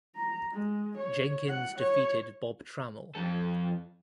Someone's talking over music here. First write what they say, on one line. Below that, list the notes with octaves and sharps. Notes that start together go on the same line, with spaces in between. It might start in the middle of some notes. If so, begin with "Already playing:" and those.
Jenkins defeated Bob Trammell.
A#5
G#3
C#5
F#5
C#5
F2 A4